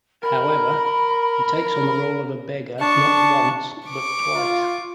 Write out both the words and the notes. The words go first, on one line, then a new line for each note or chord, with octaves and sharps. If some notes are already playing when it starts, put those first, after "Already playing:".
However, he takes on the role of a beggar not once, but twice.
A#4 B5
D4 A5 C#6
C#6 D6
F4